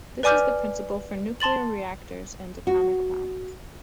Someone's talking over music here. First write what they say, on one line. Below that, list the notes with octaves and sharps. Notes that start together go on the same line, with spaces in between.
This is the principle for nuclear reactors and atomic bombs.
B4 D5 G#5 D6 F6 G6
A5 C6 A6 F#7
F#4